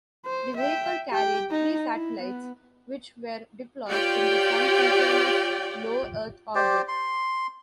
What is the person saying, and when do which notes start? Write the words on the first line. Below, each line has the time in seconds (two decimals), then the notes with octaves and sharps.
The vehicle carried three satellites which were deployed in the Sun-synchronous Low Earth orbit.
0.26 C5
0.57 E5 G5
1.10 G4 G5
1.51 D#4
1.93 E4
2.21 B3
3.91 F4 G4 C#5 D5 G5
6.55 G4 C5 D5
6.88 C6